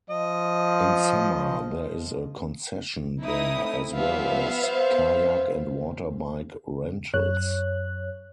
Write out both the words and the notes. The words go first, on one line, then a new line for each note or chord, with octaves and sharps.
In summer, there is a concession there as well as, kayak-and-water-bike rentals.
F3 D#5
D#4 E4 D#6
A3 C4
F3 G3 B3 E5 F5
C5
F#2 C#5 F#6